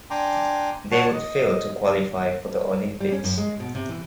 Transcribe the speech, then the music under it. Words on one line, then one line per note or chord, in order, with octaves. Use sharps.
They would fail to qualify for the Olympics.
D4 G5 G#5 A#5 C6 D6
C#5 F#5 A5
D#5
G3
C#4
F#2
G#3
B2
C3
E3